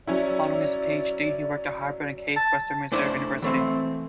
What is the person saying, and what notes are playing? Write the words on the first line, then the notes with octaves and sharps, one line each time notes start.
Following his PhD, he worked at Harvard and Case Western Reserve University.
F#3 C#4 E4 D5
A5
A3 D4 E4 C5 D5
E3 A3 C4